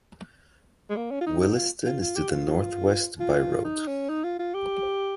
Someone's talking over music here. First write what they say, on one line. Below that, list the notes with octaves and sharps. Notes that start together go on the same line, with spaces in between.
Williston is to the northwest by road.
G#3
A#3
C#4
F4
D#4
D#4
F4
F4
F4
G4
F4
F4
D#4
C#4
D#4
F4
F4
G4